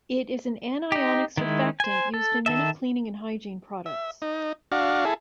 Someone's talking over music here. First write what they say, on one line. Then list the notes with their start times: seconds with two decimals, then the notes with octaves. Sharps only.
It is an anionic surfactant used in many cleaning and hygiene products.
0.92 D#4 G4
1.37 D#3 G#3 E4
1.80 C5 G#5
2.14 A4
2.46 D#3 A4 E5
3.86 E5
4.22 D#4
4.72 D4 F#4 F5
5.05 E4 G#4 A4